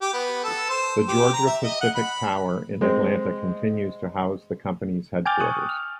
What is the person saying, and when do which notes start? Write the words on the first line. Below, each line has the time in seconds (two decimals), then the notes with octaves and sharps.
The Georgia-Pacific Tower in Atlanta continues to house the company's headquarters.
0.02 G4
0.14 B3
0.44 A4
0.69 C5
1.08 G4
1.33 A#5
1.46 E5
1.64 D#5
1.81 F#5
1.95 B5
2.81 G#3 C4
5.25 G5 G#5 D6 F6 G6 A6
5.40 C#6 D#6 F#6
5.69 F6